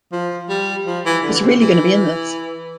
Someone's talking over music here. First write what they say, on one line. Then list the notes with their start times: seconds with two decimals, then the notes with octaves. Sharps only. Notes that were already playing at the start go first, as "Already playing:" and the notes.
Is he really going to be in this?
0.12 F3
0.49 G3
0.87 F3
1.05 E3
1.23 D3
1.43 C3
1.61 E3